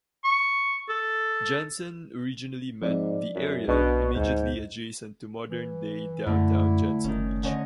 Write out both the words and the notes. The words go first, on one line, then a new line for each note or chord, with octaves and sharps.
"Jensen" originally meant the area immediately adjacent to modern-day downtown Jensen Beach.
C#6
A4
G#2 F3 C4 D5
F#2
B1 B2 D4 C#6
D2 G#2 G6
E3
F#2 D3 A3 E4
F#1 D#3 C#4
D3 C#4 C#5 D#5